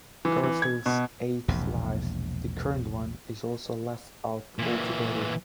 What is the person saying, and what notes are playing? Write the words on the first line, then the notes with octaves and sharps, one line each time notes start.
Garfield's eighth life, the current one, is also left out altogether.
E3
E3
G#6
B2
E1 A#1 E2 C3
A#2 E3